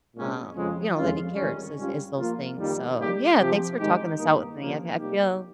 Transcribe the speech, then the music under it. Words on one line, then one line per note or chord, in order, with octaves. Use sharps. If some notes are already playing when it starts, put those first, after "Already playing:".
um, you know, that he cares is is those things. So, yeah, thanks for talking this out with me, I I feel
A#2 G#3 C#4
F2 C#3 F3 G#3
F2 C#3 G#3 C#4 F4
G#2 D#3 G3 C#4
G#2 G3 C#4 F4
F3 A#3 F4
F2 D#3 G3 A#3 D#4
C#3 G3 A#3 D#4 G4
C3 F3 C4 G4
G#2 D#3 G#3 D#4 G4
G2 D#3 A#3 D#4
C3 F3 A#3 C#4
C3 G3 A#3 D#4 G4